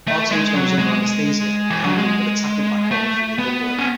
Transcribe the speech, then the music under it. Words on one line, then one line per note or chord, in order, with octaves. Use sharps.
While Tombstone was under anesthesia, Kangaroo could attack him by crawling through the ductwork.
A3
G#3
F#3
G#3
E3
F#3
G#3
A3
B3
C#4